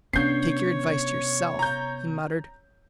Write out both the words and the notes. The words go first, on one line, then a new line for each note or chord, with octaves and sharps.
"Take your advice to yourself," he muttered.
C3 B3 C#4 D4 C#5 G6 C7
A#5 G6